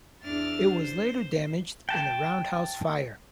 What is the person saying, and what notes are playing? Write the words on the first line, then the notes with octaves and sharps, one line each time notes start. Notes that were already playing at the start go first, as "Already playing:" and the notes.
It was later damaged in a roundhouse fire.
E2 D4 E5 F6 A6
C5
G5 A5